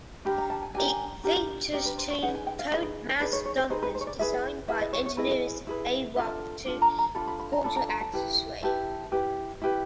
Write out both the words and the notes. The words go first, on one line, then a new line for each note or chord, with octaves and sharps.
It features two tuned mass dampers, designed by engineers Arup, to counteract sway.
D4 G4 A#4 B5
A#5
A5
G#5
D4 G4 A#4 G#5
D4 G4 A#4
D4 G4 A#4 D#5
B4
C5
C#5
D#4 G#4 B4 F#5
G#5
G5
F5
D#4 G#4 B4 D#5
D#4 G#4 B4 D5
C#5
C#5
C5
D#4 G#4 B4 C5
B4
C5
C#5
D5
E4 G#4 B4 E5
E4 G#4 B4 E5
D#5
C#5
C#5
E4 G#4 B4 D#5
E4 G#4 B4
D4 F4 A4 E5
D4 F4 A4
A#5
A#5
D4 F4 A4 B5
B5
B5
A#5
D4 F4 A4 B5
A#5
A#5
A5
E4 G4 B4
E4 G4 B4 A5
E4 G4 B4
E4 G4 B4